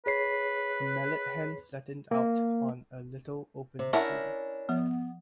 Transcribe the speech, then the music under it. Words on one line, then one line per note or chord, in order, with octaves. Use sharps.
A mallard hen flattened out on a little open pool.
G#4 B4 C#5 C7
A#3
C3
C#4 D4 E4 A#4 E5 F#5 A5
F3 B3